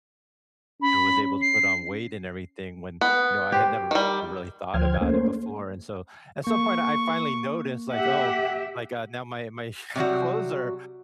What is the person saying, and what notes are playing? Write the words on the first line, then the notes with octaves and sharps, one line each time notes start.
know, was able to put on weight and everything, when, you know, I had never really thought about it before, and so at some point I I finally noticed, like, "Oh, like, uh, now my my clothes are
C#4 B5
C7
B3
G4 C5
D#3 G3
D2 F3 C5 G5 F6 G#6
A3 A#3 C#4 C5
A#3 C#6
G4 E5 F#5
C3 F#3 G3 F#4